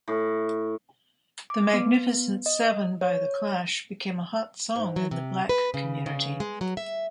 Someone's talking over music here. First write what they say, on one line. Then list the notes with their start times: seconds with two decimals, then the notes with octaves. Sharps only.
"The Magnificent Seven" by the Clash became a hot song in the Black Community.
0.08 A2
1.50 D6
1.74 B3
2.46 D#5
3.01 C#5
4.76 G#2
4.96 F#3
5.11 C3
5.49 B4
5.74 C#3
6.06 C#3
6.40 G#3
6.61 F#3
6.77 E5